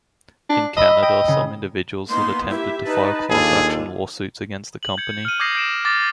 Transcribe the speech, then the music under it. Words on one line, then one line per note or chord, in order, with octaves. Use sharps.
In Canada, some individuals have attempted to file class action lawsuits against the company.
D4
D#5 B5 D#6 E6
D#5 G5
C#3
A#3 B3 D#4 C6
E4 G4 E5
D#4 B4 A5
D#2 D4 F4 G#4 A4
F#7
G6 G#6 C#7
F6 D#7
D6 D#6 G6 G#6 A#6 C7
G6 D7 E7
D6 F6 A6 A#6 E7